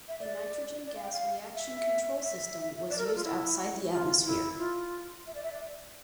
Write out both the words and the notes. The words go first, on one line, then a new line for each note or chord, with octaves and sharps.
A nitrogen-gas reaction control system was used outside the atmosphere.
E5
D5
D5
F5
G5
F5
E5
E5
D5
A#4
A4
F4
E4
F4
E4
F4
E5
D5
E5
D5